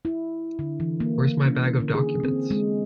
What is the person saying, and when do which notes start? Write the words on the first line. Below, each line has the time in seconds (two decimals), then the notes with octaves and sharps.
Where's my bag of documents?
0.05 E4
0.59 D3
0.80 E3
1.00 A#3
1.46 C#4
1.80 D3
1.95 G#4
2.24 C4
2.51 G#3